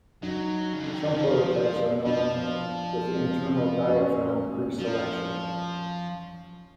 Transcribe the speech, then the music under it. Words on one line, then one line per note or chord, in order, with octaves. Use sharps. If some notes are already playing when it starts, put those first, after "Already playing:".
Some prototypes are known with internal diaphragm preselection.
F#3 D#4
C#3
D3
D#3
E3
F3
F3 D4
C#4
F3